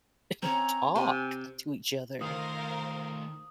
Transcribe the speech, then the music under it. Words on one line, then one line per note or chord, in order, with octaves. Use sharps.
and talk to each other.
C4 C#4 C#5 A#5
C3 G#5
D#3 A3 F4 A#4 C5 F5 D#6